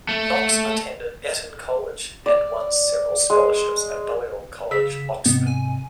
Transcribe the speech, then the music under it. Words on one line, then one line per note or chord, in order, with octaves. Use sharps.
Knox attended Eton College and won several scholarships at Balliol College, Oxford.
A3
D5
G#3
C#3 E6 B6
G#2 C3 B3
G#5